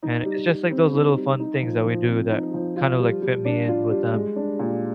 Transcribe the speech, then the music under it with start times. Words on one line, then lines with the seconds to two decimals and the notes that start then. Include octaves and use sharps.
and it's just like those little fun things that we do that kinda like fit me in with them.
0.03 D#4
0.25 G3
0.48 G3
0.71 C4
0.94 D#4
1.17 G3
1.40 D#4
1.63 F3
1.86 F3
2.08 C4
2.31 D#4
2.54 F3
2.76 F4
2.99 G3
3.22 G3
3.45 D4
3.68 F4
3.91 G3
4.14 G#3
4.36 D4
4.59 A#2